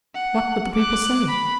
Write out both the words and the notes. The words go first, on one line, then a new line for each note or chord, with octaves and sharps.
What would the people say?
F#5
D6 F#6
B5